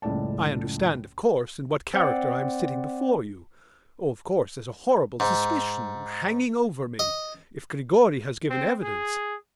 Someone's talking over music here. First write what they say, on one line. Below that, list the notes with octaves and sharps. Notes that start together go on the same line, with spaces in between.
I understand, of course, in what character I am sitting before you. Oh, of course, there's a horrible suspicion ... hanging over me ... if Grigory has given evidence....
F#1 C#2 A2 D5 A5
C4 D5 F#5
G#2
D#5
C4
G#4